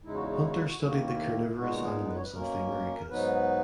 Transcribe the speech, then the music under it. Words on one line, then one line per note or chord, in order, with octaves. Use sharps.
Hunter studied the carnivorous animals of the Americas.
E2 C#3 G#3 D#4 E4
F#4
E4
F#4
E4
F#4
E4
F#4
E4
D#2 D#3 A#3 F#4
E4
F#4
E4
A#2 G#3 B3 D#4 F#4
F#4
G#4
B4
C#5
B4
B2 A#3 C#4 A#4
G#2 F#3 B3 D#4 B4